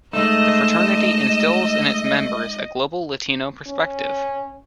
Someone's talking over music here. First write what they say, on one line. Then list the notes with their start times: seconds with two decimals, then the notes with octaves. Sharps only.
The fraternity instills in its members a global Latino perspective.
0.13 G#3 A3 D#4 D#5 E7
3.67 C#4